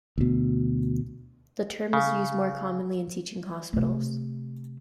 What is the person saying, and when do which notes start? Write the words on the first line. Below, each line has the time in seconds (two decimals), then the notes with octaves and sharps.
The term is used more commonly in teaching hospitals.
0.18 D2 B2
1.93 C#3
3.73 C3 A3